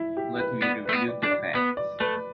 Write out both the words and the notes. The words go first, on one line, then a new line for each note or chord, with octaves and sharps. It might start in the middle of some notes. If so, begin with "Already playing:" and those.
Let me review the facts.
Already playing: E4
G4
B4
B3 D5
B4
A3
B3
D5
D4
D5
B3 B4
D5
A3 B4